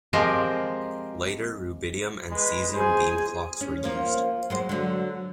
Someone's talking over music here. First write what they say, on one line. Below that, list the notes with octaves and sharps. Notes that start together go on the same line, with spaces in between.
Later rubidium and cesium beam clocks were used.
F3 G#3 C4 G4 A#4 C5
G#3 B4
G#4 C5 G#5
C#4
F3 A#3
F#3 G#3 C5
D3 F#3